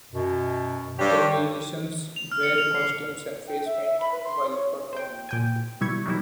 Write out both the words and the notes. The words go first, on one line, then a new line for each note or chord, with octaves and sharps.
The musicians wear costumes and face paint while performing.
F#2 B2
G2 G4 C#5 D5
F7
F6
C#7
F7
C7
G5
E5
E5
B5
B4
C6
C#5
C5 G5
A#2 G5 G#5
B2 G3 E4 C#6 G#6
D#3 E3 F#3 G3 D#4 E4